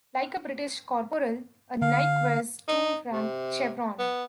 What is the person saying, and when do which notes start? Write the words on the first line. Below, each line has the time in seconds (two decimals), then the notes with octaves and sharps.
Like a British corporal, a naik wears two rank chevrons.
1.82 D3 F5
2.68 D#4
3.13 C3
3.99 B3